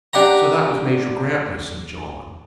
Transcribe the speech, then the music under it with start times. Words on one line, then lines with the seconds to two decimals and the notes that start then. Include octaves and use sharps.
"So that was Major Grantly?" said John.
0.13 D4 G4 F#5 A#5